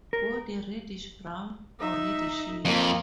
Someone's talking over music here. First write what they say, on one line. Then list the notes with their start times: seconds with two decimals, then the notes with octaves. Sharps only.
Body reddish brown or reddish yellow.
0.13 A#4
1.79 D#4 E5
2.65 F2 A#3